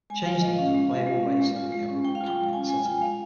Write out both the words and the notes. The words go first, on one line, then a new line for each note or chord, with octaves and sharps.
Changelings are a playable race in the Eberron campaign setting.
G#3 G#5
F4 F5
G#3 D#5
C#4 F5
G#3
F4
G#3
C#4
G#3
F4
G#3
C#4
G#3 G5
F5
F4
G5
G#3
C#4 G#5
G#3 G#5
F4 G5
G#3 F5